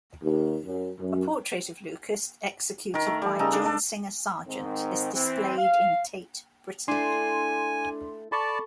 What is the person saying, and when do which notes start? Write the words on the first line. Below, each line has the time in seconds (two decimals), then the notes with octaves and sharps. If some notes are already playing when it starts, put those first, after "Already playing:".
A portrait of Lucas executed by John Singer Sargent is displayed in Tate Britain.
0.23 D#2
0.64 F#2
1.00 F#2
2.94 D#3 A#4
3.07 A3
3.22 G3
3.39 C#3 D#4 A4 A#4
3.53 D4
3.66 D4 A4
4.47 G#2 D#3 C4
5.13 E3 C4
5.58 F5
6.88 A3 D4 E4 G#5 C6
8.32 A4 D5 A5 B5 C#6 D6